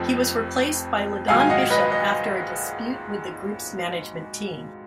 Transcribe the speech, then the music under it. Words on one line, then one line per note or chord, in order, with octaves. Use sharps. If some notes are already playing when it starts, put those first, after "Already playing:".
He was replaced by LeDon Bishop after a dispute with the group's management team.
Already playing: F1 F2 F3
A#1 G#2 D#3 F#3 F5 G#5
G#5
D#5 F#5
B4 D#5
B4 D#5